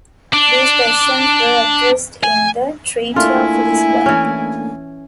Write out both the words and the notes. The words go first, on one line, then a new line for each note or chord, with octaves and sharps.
These questions were addressed in the Treaty of Lisbon.
D4
G#5
A3 A#3 D4 E4 F4 G#5
E3 C#4